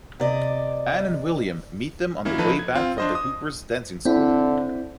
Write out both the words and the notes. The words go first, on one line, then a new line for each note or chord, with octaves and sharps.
Anne and William meet them on the way back from the Hoopers' dancing school.
C3 D5 D#5
D#3 A#3 C#4 E4
F3 D#4 A4 B4
G#6
C4 F4
D4 C5 D#5
D#6
D3 C4 E4